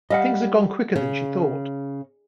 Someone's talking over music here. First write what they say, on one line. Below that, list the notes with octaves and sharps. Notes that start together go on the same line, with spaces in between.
Things had gone quicker than she thought.
G3 D#5 F5 F#5
C#3